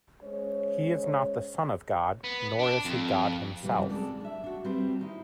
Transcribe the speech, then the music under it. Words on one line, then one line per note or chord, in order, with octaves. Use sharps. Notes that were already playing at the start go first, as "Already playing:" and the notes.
He is not the Son of God, nor is he God himself.
G#3 C#4 C5 C#5
B3
D4
F2
F#2 A2 C3 E3 G3
G#3 C4 A4 D5
D4 E5
D4 F#4
G3 C4 B4 C5
D#3 D#4 E4